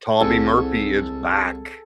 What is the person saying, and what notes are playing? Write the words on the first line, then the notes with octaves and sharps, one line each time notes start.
Tommy Murphy is back.
C2 G#4 A4